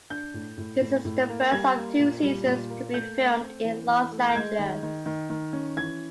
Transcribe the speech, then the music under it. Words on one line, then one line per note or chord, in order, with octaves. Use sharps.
This is the first of two seasons to be filmed in Los Angeles.
D4 G6
A2
A2
A2
A2
A#3
G3 G#6
A#3
A#2
G3
A#2
A#3
A3 G6
A3
C4
E3
E3
A3
G6
G#3 G#6
D#3
D#3
D#3
D#3
C#4
E3 G#6